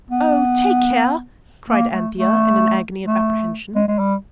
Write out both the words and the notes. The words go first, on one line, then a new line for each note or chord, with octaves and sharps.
'OH, take care!' cried Anthea in an agony of apprehension.
B3
A#3
A3
A3
A3
G#3
G#3
G3